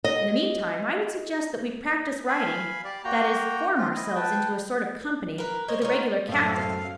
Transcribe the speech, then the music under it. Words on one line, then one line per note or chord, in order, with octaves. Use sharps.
In the meantime, I would suggest that we practice riding--that is, form ourselves into a sort of company with a regular captain.
D#5
F5 G#5 B5
G4 D5
A#3 F#4 G5 A#5
C4 C#4 F4
E4 D#5
B4 G5 A5
A#4 B4
C5 C#5 D#5
D#4 F4 C#5
F#2 A2 C4 A4 E5 F5